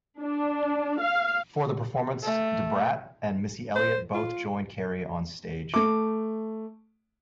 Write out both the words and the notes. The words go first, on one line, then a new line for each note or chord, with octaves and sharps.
For the performance, Da Brat and Missy Elliott both joined Carey on-stage.
D4
F5
A3
C5
F4
A3 D6